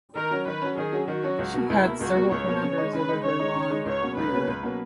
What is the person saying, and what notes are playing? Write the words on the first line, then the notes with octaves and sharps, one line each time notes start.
She had several commanders over her long career.
D#3 A#4
F#3 C#4
D#3 B4
F#3 C#4
D#3 G#4
F#3 C#4
D#3 F#4
F#3 C#4
C#2
B2 A#3
C#2 E4
B2 A#3
C#2 F#4
B2 A#3
C#2 C#5
B2 A#3
C#3
G#3 D#4
C#3 B4
G#3 D#4
C#3 C#5
G#3 D#4
C#3
G#3 D#4
C#2 C#5
B2 F#3 A#3 C#4
C#2 B4
B2 F#3 A#3 C#4
C#2
B2 F#3 A#3 C#4